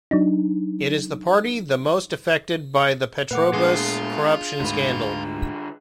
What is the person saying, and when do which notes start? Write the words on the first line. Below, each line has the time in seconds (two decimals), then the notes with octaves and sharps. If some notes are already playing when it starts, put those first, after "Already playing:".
It is the party the most affected by the Petrobras corruption scandal.
0.11 F#3 D4 D#4
3.31 A#2 A3 B4 F#5 D6
3.54 G#3 B3 D4 F4 G#4
4.61 D2 G#2 D3 B4